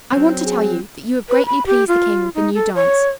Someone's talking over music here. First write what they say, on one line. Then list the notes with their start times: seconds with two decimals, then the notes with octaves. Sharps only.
I want to tell you that you have greatly pleased the king with the new dance.
0.12 F#3 C4
0.44 G#4
1.29 B4
1.46 B5
1.66 G4
1.88 F4
2.35 D#4
2.55 A4
2.75 C#5